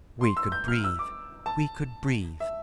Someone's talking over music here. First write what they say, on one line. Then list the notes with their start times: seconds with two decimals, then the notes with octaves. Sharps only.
We could breathe! We could breathe!
0.21 C6
0.37 E6
0.52 G6
0.68 F6
0.84 E6
0.99 D6
1.46 A5
2.40 E5